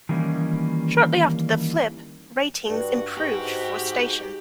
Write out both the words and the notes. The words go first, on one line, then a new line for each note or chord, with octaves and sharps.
Shortly after the flip, ratings improved for station.
D#3 E3 G3 A#3 C#4 D#4
G2 F#4
G#2 G4